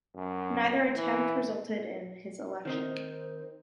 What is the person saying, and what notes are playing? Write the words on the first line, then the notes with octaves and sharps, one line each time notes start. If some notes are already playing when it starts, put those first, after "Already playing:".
Neither attempt resulted in his election.
F#2
E3
D#3 C4 D#4 C5